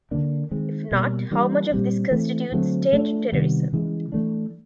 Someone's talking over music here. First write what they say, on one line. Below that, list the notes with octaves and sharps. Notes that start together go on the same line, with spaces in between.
If not, how much of this constitutes 'state terrorism'?
D3 F3 A#3 D4
D#3 G#3 C4
B2 G3 A#3
E3 G3 A#3 D4
A#2 G3 C4
E3 A3 C4
D3 F#3 A3 C4
F3 A3 D4
C3 D#3 G3 B3
C#3 E3 G#3
E3 A3 D4